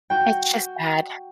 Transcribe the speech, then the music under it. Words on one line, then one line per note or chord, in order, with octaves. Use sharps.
It's just bad.
F#4 G5